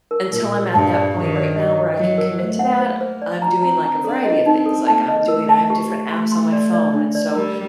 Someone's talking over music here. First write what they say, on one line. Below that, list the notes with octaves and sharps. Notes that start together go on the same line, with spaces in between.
until I'm at that point right now where I can commit to that, I'm doing, like, a variety of things. Like, I'm doing I have different apps on my phone and so,
A#4
A#2 A#4
A#4
G2 A5
D5
D#3 G4
D5
D#5
D#5
F#3 D#5
A#4
A3 C5
F#5
A#3 C5
C5
D5
A#5
C4 A#5
A#5
D4 A4
D#5
C4 D#4
A4
A#3 A5
D#5
A3 A#4
A5
G4
G4
A3 C6
C6
D5
D5
D4
D5
G3 A#4